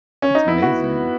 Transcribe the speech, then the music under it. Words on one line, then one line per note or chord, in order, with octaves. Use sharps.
That's amazing.
C#4
D#4
B3 E4
F#4